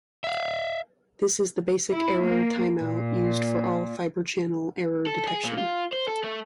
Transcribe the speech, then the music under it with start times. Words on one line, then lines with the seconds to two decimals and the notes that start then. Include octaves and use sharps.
This is the basic error timeout used for all Fibre Channel error detection.
0.24 E5 F5
1.93 E4
2.25 A#3
2.78 A#2
5.07 A4
5.28 G#4
5.44 A#2
5.58 F4
5.93 C5
6.08 A4
6.24 A3